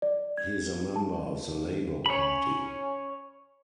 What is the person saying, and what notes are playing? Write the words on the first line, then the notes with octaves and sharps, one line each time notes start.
He is a member of the Labour Party.
D5
G#6
A5
C#4 C#5 B5